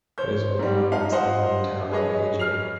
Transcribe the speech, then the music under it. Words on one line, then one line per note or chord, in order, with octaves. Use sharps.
It is well known as the home town of a J.
C5 C#5 G6
G#2 G3
D#4 F4 F5
C5 D#5 F5 F#5
G#4 B4 C#5 D#5
F6 C7 F7